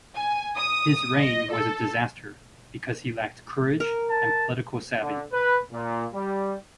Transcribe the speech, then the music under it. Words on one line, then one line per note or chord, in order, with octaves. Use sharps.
His reign was a disaster because he lacked courage and political savvy.
G#5
D#6
D#5
A4
A#4
A5
D3
B4
A#2
G3